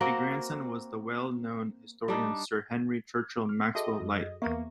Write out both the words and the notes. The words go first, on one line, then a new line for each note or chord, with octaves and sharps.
A grandson was the well known historian Sir Henry Churchill Maxwell-Lyte.
A#3 C4 F#4 A#4
G3 D4 D#4
D6 F6
F#4 G#4 A4 D#5 E5 G5 A5
F#2
E2 A#3 B3 E5 A#5 C#6